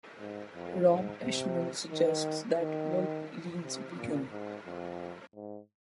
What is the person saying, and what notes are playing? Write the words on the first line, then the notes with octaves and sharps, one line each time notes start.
Rob Eshman suggests that Wolpe leans vegan.
G#2
F2
G#2
C3
D#3
D#3
C3
A#2
G#2
F2
G#2